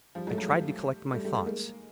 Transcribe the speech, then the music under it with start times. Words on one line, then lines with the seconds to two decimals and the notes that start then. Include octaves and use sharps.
I tried to collect my thoughts.
0.15 F3 G3
0.27 F#3 G#3
0.33 A3
0.37 F#3 G#3
0.48 G3 A3
1.13 G3 A3
1.24 G3 A3
1.35 G3 A3
1.46 G#3 A#3